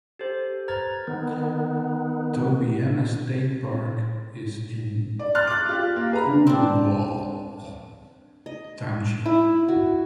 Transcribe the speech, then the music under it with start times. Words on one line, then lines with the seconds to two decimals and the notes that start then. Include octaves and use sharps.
Tobyhanna State Park is in Coolbaugh Township.
0.19 G4 A4 C5
0.68 B4 C5 A#5 F6 G#6 A6
1.07 D#3 B3
5.19 D5
5.35 C6 F6 F#6 A6
5.47 D6 F6 F#6 A6
5.69 F4 G4
5.96 A#3
6.11 G#4 B4 A#5
6.47 C4 D4
8.46 D#5
9.26 E4
9.68 F#4